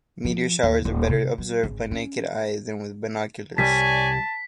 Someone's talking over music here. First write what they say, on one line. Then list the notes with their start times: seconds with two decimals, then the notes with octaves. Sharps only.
Meteor showers are better observed by naked eye than with binoculars.
0.25 F3
0.63 D#2
0.85 D#1
1.09 C3
1.38 F#3
1.63 G#1
1.91 C#4
3.58 C2 G3 C#5 D5 G#5 A5 B6